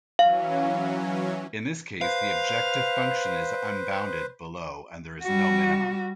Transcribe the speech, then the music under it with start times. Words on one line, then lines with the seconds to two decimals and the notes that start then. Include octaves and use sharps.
In this case the objective function is unbounded below and there is no minimum.
0.19 E3 F#3 C#4 F5
2.01 B4 C5 F5
5.23 G3 F#4